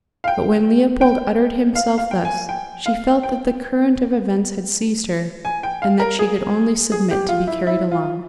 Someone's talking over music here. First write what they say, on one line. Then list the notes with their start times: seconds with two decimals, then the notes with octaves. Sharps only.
But when Leopold uttered himself thus, she felt that the current of events had seized her, and that she could only submit to be carried along.
0.24 F5
0.28 G5
1.01 G5
1.75 F5
1.98 F5
2.11 G5
2.25 G#5
2.49 G5
2.86 F5
3.23 G5
5.45 G#5
5.63 G5
5.82 F5
6.00 A#4
6.19 G#4
6.92 G#4
7.11 G4
7.29 F4
7.47 E4
7.67 E4
7.91 F4